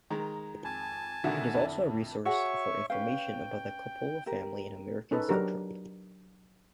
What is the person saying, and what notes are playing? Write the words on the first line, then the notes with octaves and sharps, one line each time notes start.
It is also a resource for information about the Coppola family and American Zoetrope.
D#3 G#3 A#5
F2 G#5 A5
B1 D3 D#3 F#4 E5
F2 D3 E4
F#4 G#4 C#5 E5 F#5 C#6
C#4 B4 F5 G5
G4 A#4
C#4 D#4 A4 B4
F#3 D4 G4 A#4